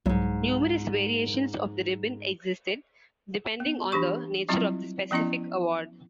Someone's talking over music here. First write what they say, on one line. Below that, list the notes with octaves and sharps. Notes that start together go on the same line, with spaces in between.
Numerous variations of the ribbon existed, depending on the nature of the specific award.
C2 F2 G#2 F#3
B3
E3 D4 G4 C#6
F#3 G3 C4 E4 F4
F3 B3 C#4 E4 D#5